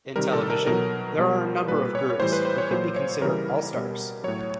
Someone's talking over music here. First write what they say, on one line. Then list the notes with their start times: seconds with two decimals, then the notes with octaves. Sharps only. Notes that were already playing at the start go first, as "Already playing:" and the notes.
In television, there are a number of groups who could be considered All-Stars.
0.16 C3 D#3 G3 A#4
0.33 A4
0.50 A#4
0.67 B2 F#3 A#4
1.19 B2 G3
1.68 A#2 G3 B4
1.95 C#5
2.10 C#5
2.20 A2 E3 G3 C5
2.32 B4
2.45 C5
2.58 C#5
2.71 A#2 F#3 C5
2.96 C#5
3.22 C#3 E3 G3 A#4
3.74 B2 G3
4.24 A2 F#3 C#5